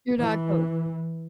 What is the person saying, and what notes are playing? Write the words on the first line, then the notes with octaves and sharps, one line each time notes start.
you're not going
E3